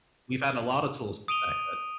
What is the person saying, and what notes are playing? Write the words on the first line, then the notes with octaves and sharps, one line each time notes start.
we've had a lot of tools since back then."
D#6 D7 D#7 F7 G7